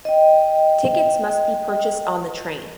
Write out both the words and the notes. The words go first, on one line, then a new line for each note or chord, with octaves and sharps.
Tickets must be purchased on the train.
D#5 G5